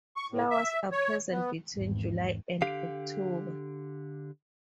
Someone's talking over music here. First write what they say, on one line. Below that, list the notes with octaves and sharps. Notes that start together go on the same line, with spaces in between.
Flowers are present between July and October.
C#6
A2
E5
C#5
B3
G#1 E2
D3 G4 F5